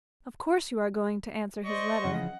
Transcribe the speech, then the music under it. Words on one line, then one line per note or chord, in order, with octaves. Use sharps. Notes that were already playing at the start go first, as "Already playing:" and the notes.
Of course you are going to answer his letter.
C5 D5 D#5 C#6
C#3 E3 F3 F#5